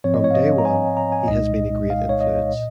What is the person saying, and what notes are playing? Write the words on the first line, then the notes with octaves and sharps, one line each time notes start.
From day one he has been a great influence.
G#2 F3 C4 C#5
D#5
C#5
F5
D#5
A#5
G#5
A#5
G#5
C2 A#2 G#3 D#4 D#5
F5
C#5
D#5
A#2